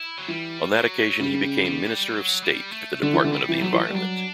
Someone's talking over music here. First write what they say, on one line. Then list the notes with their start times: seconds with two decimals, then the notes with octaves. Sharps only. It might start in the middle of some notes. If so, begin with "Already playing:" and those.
On that occasion he became Minister of State at the Department of the Environment.
Already playing: E4
0.18 F#3
0.28 E3 G3
0.74 F#3
1.20 C#3 G3
1.65 G3
2.11 F#3
2.42 G3
2.72 A3
3.02 D3 A3
3.13 E3
3.24 D3
3.33 G3
3.49 E3
3.61 F#3 A3
3.73 E3
3.90 G3
3.94 F#3 D4